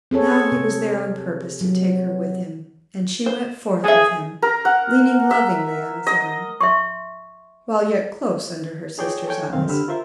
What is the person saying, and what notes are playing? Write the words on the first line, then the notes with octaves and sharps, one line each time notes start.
Now he was there on purpose to take her with him, and she went forth with him, leaning lovingly on his arm, while yet close under her sister's eyes.
C4 G#4 A4 C#5
C3
F#3
C5
G#4 A4 E5
A#4
F#5
E5
D#5
E5 C6 C#6
D#4 F4 G#4 C#5 D5 G5
A4 C#5 G5 G#5
C2 F#2 D#3 C4 F5
D3 D4 G4 B5 E6 F6
F4 A#4 C5 E5